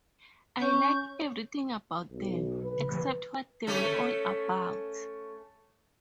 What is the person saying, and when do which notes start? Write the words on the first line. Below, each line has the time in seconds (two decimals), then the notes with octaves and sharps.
I like everything about them, except what they were all about.
0.61 C#4 C#6 G6
2.10 B1
2.61 B4
3.67 A3 C#4 A4